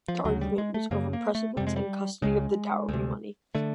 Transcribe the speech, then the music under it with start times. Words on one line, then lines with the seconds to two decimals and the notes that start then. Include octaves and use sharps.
The argument was over precedence and custody of the dowry money.
0.08 F3
0.25 D2 C#3 F#3
0.41 G3
0.58 G#3
0.74 A3
0.91 F#2 C#3 A#3
1.13 A#3
1.35 A3
1.57 F2 C3 G3
1.67 G#3
1.76 G3
2.22 C#2 C#3 G#3
2.89 D2 C3
3.55 D3 A3